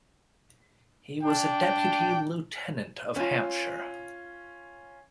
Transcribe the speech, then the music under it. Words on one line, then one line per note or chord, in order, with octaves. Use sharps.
He was a Deputy Lieutenant of Hampshire.
D4 G5
C#4 F4